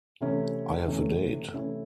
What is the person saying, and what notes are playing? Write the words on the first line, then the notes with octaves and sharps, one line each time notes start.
I have a date.
C3 E3 A3 C#4 E4
C3 E3 A3 C#4 E4
C3 E3 A3 C#4 E4